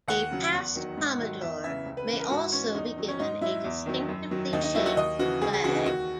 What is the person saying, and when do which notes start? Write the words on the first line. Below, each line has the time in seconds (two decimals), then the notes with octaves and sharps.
A past-commodore may also be given a distinctively-shaped flag.
0.08 D#2 F#5
0.30 C#3 F#3
0.53 E2
0.75 D#3 F#3
0.97 G#2
1.19 D#3 F#3
1.41 E2 E5
1.64 C#3 E3 E5
1.86 C#2
1.97 B4
2.08 C#3 E3 B4
2.20 A#4
2.30 G#2 F#4
2.52 E3 C#4
2.75 E2 D#4
2.86 D#4
2.97 D#3 F#3
3.08 C#4
3.19 G#2 D#4
3.41 F#3 E4
3.64 E2
3.86 D#3 F#3
4.09 F#2
4.31 D#3 F#3
4.53 D#2 D#4
4.64 D#4
4.75 D#3 F#3 E4
4.86 F#4
4.97 D#2 D#5
5.19 C#3 E3 F#4
5.42 C#2 G#4
5.53 G#4
5.64 C#3 E3 F#4
5.75 D#4
5.86 D#2 F#4